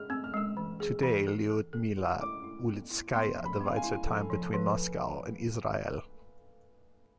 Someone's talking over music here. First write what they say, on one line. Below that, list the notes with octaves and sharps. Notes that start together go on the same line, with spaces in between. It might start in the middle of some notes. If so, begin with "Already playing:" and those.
Today, Lyudmila Ulitskaya divides her time between Moscow and Israel.
Already playing: G#4 F6
C4 E6
F6
G#3 E6
E3
G#4
E3
A4
A4
A4
E4
E4 D6
E4
B3
E4
B3 C6
F3
B5
B3
F5
G#5
E4
F3 A4
F3
A4
F3 B4